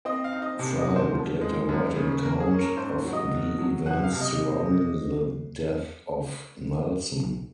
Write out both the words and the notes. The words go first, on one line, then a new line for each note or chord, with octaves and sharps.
Fry would later write an account of the events surrounding the death of Nelson.
C4 D#5
F5
D#4
D#5
C3
D#5
F#3
C5
F3
G#3
F#2
C#3
A#3 A#4
G#4
C#4
A#4
G#2 C5
F#3
D#5
D#3
F#3
C#2 F#5
F5
C3
D#5